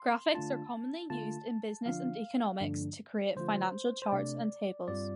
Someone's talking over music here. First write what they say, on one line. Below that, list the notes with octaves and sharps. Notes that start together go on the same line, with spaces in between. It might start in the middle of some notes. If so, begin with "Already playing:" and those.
Graphics are commonly used in business and economics to create financial charts and tables.
Already playing: C6
D3 A3 D4 F4 A5
D3 A3 F4 A5
D3 F3 D4 F4 F5
G2 D3 F3 A3 D4
D3 F3 A3 F4 C5
C5
C3 A3 D4 D5
G2 G3 C4 F4 D5